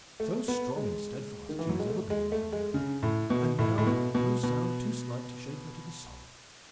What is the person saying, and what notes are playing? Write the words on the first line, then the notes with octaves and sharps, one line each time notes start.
So strong and steadfast she has ever been, my Mary, and now no sound too slight to shake her to the soul!
A3
B3
G#3
D#3
E3
F#3
G#3
A3
G#3
A3
G#3
C#3
A2
B2
A2
A2
B2
B2
B2